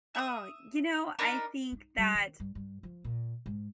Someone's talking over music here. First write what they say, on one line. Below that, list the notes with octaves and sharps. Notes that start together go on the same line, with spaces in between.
Oh, you know, I think that
E5 D#6
D4 D#4 A#4 B5
D#4
G3
D#3
G2
G2
F3
A#2
G#2